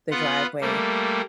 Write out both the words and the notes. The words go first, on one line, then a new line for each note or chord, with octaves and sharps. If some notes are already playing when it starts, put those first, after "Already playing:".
the driveway,
B3 F4 F#5
G3 A3 A#3